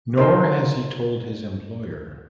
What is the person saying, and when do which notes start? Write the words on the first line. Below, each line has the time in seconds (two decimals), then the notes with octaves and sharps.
Nor has he told his employer.
0.18 D#4 A#4 C5